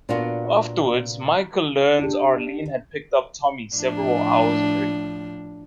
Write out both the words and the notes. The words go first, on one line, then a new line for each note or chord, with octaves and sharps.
Afterwards, Michael learns Arlene had picked up Tommy several hours earlier.
A#2 A#3 B3 D4 F4 F#4
D4 G4
A2 F3 D4